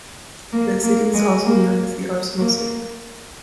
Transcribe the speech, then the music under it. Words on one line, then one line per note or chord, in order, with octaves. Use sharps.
The city is also known as "the Arsenal City".
A#3
A#3
G#3
A#3
A#3